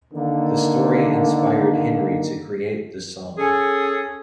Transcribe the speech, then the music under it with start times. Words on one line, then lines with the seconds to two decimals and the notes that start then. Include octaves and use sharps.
The story inspired Henry to create the song.
0.13 D3 D#3 A#3
3.38 C#4 G#4 A4